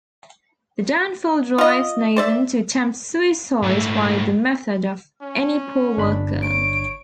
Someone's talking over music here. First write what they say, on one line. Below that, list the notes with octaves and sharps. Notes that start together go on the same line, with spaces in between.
The downfall drives Nathan to attempt suicide by the method of "any poor work-girl".
F4 D#5
C5 D5 E5
G#2 A3
C#4
G1 D4 B5
C#5 D7